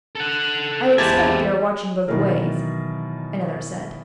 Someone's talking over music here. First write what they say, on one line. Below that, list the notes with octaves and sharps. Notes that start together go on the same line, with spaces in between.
"I expect they are watching both ways," another said.
A4 F#5
E2 G#3 A#3 E4 G4 C5 G#5 A5
B2 D#3 E3 F#3 A#4